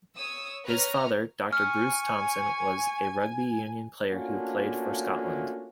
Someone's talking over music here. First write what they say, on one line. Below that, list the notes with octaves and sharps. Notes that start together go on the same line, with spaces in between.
His father, Doctor Bruce Thomson, was a rugby union player who played for Scotland.
C#5 D#6 E6
B4 C#5 A#5 F6
G#5 C#6 F6
A3 A#3 C#4 D4 F4 F#4